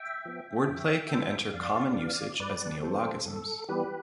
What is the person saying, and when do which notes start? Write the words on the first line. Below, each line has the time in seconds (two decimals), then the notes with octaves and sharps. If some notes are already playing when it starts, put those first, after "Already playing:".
Word play can enter common usage as neologisms.
Already playing: E5 G5
0.25 F3 B3
0.68 F2
1.11 E3 B3
1.53 F2 D5 F5
1.97 E3 B3
2.39 G2 B4 D5
2.82 E3 G3 B3 A4 C5
3.25 G2 A4
3.69 E3 G3 B3 G4 B4